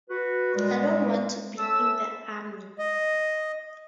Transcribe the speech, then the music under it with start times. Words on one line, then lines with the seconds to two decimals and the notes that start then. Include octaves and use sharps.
I don’t want to be in the army.
0.10 F#4 B4
0.55 A#2 G3 G#3
1.58 C#4 A4 E5 A5 E6
2.79 D#5